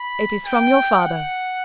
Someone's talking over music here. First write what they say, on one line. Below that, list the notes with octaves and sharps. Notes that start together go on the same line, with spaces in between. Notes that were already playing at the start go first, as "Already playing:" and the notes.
"It is from your father."
Already playing: B5
G5
F#5